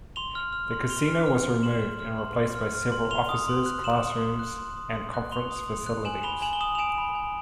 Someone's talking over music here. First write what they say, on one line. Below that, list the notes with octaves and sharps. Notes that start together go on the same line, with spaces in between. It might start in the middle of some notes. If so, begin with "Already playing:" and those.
The casino was removed and replaced by several offices, classrooms and conference facilities.
C6 F7 G7
F6
F6
C6
C6 F7 G7
F6
F6
C6
C6 E7 F#7
F6
F6
C6
C6
F6
F6
C6
C6 F7 G7
D#6
C6
F#6
C6 E7 F#7
D#6
C6
F#6
C6
D#6
C6
F#6
C6 F7 G7
D#6
C6
F#6
G#5 E7 F#7
B5 F7 G7
G#5 E7 F#7
G7
D#6 E7 F#7
F7
G#5 D7 E7
B5
G#5